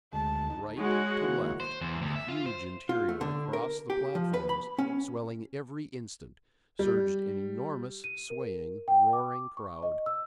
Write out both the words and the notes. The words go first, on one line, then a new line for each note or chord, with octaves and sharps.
From right to left of the huge interior, across the platforms, swelling every instant, surged an enormous swaying, roaring crowd.
D2 G#3 A5
D#4
G#3 F#4 C#5 F#5
D#3 A#3 E4
C5
E2
D2
E5
F4
C5
F4
A3
D3
A#4
G4
F3
B4
B5
C#4
G3
D#7
A#4
G5
D6
C#6
D#5
E6